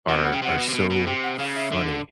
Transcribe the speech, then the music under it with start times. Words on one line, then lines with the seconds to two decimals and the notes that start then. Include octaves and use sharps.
are are so funny
0.08 B2 F#5
0.24 F#5
0.32 C#3 G5
0.42 C3 F#5
0.58 B2
0.69 C3
0.74 B2
0.90 B2
1.07 C3 G5
1.23 F#5
1.39 C#3 F5
1.56 E5
1.72 D3